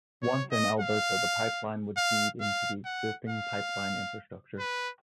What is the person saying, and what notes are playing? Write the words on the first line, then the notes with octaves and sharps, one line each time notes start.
Once in Alberta, the pipeline would feed into the existing pipeline infrastructure.
C#5
D#5
F5
F5
F5
F#5
F5
B4